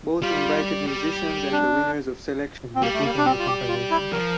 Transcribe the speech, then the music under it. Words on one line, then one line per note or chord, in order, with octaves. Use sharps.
Both invited musicians and the winners of selection were put on the compilation.
G3 F4
G3
D4
C4
G3 A#3
A3
A#3
D4
C4
F4
G4
F4
E4
F3 A#4